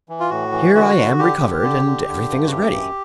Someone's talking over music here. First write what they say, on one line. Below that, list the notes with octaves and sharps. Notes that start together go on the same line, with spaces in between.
"Here I am recovered and everything is ready."
E3
F4
A2 F#4
E3
D3 F#4
D3
D3 G4
D3
D3
D3
D3
G2
F#4
F#2 G4
F#2